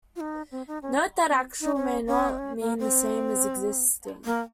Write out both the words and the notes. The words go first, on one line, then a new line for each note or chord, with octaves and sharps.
Note that "actual" may not mean the same as "existing".
F4
D#4
C4
D#4
C#4
C4
D#4
C#4
C#4
C4
C#4
A#3
C4
A#3